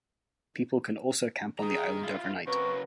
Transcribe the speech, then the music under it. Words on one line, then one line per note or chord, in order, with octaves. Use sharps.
People can also camp on the island overnight.
D#3 G#4 A#5
E4 F4
C#3 F#3 C4 A#4 B4 C#6